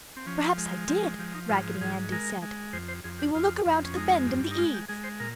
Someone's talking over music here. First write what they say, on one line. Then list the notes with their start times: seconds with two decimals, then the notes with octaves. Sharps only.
"Perhaps I did!" Raggedy Andy said, "We will look around the bend in the eave!"
0.17 C4
0.26 F3 C#4
0.58 G#3
0.88 F3 C4
1.03 C#4
1.19 F3 G4
1.34 D#4
1.50 G#2 F4
1.81 G#2 G#4
2.12 G#3 A#4
2.42 G#3
2.73 F2 C5
2.88 C5
3.04 F2 G#4
3.19 G4
3.35 F2 F4
3.65 F2
3.85 C#4
3.96 G#3 D#4
4.27 G2
4.51 D#4
4.58 G#3 F4
4.74 G4
4.88 G#3 G#4
5.04 C5
5.20 A#2 A#4